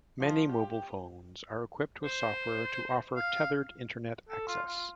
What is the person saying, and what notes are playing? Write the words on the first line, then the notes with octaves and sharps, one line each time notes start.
Many mobile phones are equipped with software to offer tethered Internet access.
F3
G4
C5
F5
A4
F4
F4